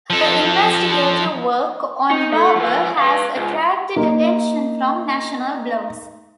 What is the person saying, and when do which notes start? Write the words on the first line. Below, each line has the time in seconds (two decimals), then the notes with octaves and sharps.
Her investigative work on Barbour has attracted attention from national blogs.
0.10 F3 A4
2.10 D#4
2.33 A3
2.55 F3 B4
2.98 B4 F5
3.37 C#2
3.96 A#3 D#4